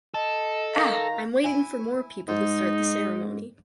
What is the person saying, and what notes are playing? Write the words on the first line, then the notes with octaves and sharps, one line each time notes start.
Ah! I’m waiting to more people to start the ceremony.
A4 D#5
D#3 F5 A#5
E4 G#5
G#2 D#4